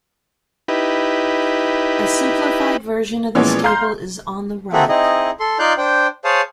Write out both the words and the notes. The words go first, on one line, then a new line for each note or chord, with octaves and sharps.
A simplified version of this table is on the right.
D#4 E4 G4 B4
A#2 E3 F3 G#3 B3 C#4
F5 A#5 C6 F6 G6 C7
A#3 C4 F#4 G#4 A4 E5
C4 D#4 E4 G#4 D#5
A4 C6
D#4 F4 D5 F5 F#6 G6
D4 C5 G5
G#4 C5 C#5 F5 A5 D#6